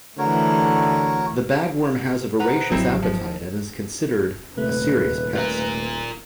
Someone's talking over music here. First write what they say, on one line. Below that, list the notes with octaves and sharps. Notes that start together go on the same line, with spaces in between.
The bagworm has a voracious appetite and is considered a serious pest.
D3 E3 A3 F#4 A#4 C#5
A#2
G#4 B4 C5 F#5 A#5 C#6
G#1 A2 F3 F#3 G#3 C4 D#4 E4
F3 E4 C5
D#1 C3 A3 B4
F4 A#4